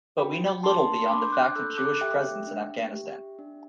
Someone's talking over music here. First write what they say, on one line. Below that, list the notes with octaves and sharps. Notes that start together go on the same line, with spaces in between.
But we know little beyond the fact of Jewish presence in Afghanistan.
F#4 G5 B5
D4 A5 C6
C6
D4 B5 D6
G6
D6 F#6
A4 E6 G6
D6 F#6
G4 E5 G5
D4
G4
D4